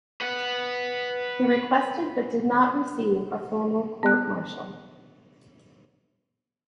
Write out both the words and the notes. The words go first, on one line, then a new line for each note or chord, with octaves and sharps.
He requested, but did not receive a formal court-martial.
B4 F#5
B3 F#6